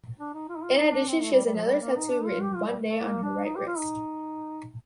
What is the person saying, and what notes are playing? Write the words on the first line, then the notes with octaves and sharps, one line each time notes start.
In addition she has another tattoo written "One Day" on her right wrist.
D4
D#4
F4
D#4
F4
D#4
D4
C4
A3
G3
G3
F3
G3
A#3
D#4
D4
F4
G4
F4
G3
A3
A#3
D4
D#4
G4
F4
D#4